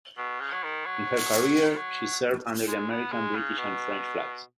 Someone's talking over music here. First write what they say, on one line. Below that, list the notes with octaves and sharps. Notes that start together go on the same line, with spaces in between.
In her career she served under the American, British and French flags.
B2
C#3
F#3
D#3
F#3
D#3
F#3
G#3
B3
G#3
C#3
B2